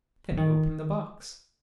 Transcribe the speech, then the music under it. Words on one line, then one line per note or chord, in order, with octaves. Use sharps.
Then he opened the box.
F3
D#3